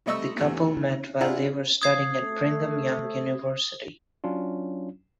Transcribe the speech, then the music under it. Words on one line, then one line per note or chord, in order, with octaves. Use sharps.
The couple met while they were studying at Brigham Young University.
C3 G3 A3 D#5 C#6 E6
E2 C3 A3
D4 E4 F4 G#4 F#5 A#5
D#6 G#6 C7
A3
F#3 C#4 D4 F4